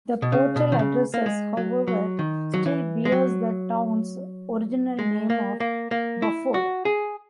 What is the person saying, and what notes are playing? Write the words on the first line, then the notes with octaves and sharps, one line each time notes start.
The postal addresses, however, still bears the town's original name of "Buford".
B2
C#3
B2
D#3
C#3
A#3
G#3
F#3
F#3
D#3
F#3
E3
G#3
F#3
G#3
A#3
A#3
A#3
E4
F#4
G#4